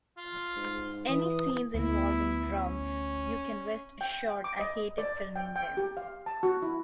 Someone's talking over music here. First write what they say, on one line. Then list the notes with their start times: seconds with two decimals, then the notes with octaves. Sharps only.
Any scenes involving drugs, you can rest assured I hated filming them.
0.18 F4
0.56 G#2
1.08 E3 D#6
1.74 D2 B3 E4
2.58 C#4
4.01 G5
4.27 G5
4.44 D6
4.59 D#5
4.98 D5
5.36 G5
5.56 G5
5.77 G4
5.97 F5
6.26 A5
6.43 F#4
6.62 E4